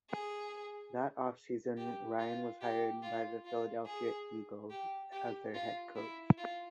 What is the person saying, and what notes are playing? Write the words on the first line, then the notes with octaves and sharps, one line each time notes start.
That offseason, Ryan was hired by the Philadelphia Eagles as their head coach.
G#4
G4
F4
G4
F4
F4
G#4
G4
G4
F4
E4
F4